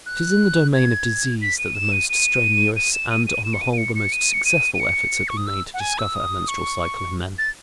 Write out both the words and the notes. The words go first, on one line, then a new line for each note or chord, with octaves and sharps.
It is in the domain of disease that the most strenuous and, on the whole, the most successful efforts have been made to discover a menstrual cycle in men.
F#6
G#6
B6
D#7
E7
D#7
D#7
D#7
E7
D#7
D#7
E7
C#7
D#7
D#7
C#7
C#7
D#7
C#7
D#7
D#7
C#7
C#6
D#6
E6
F#5
G#5
E6
D#6
C#6
A6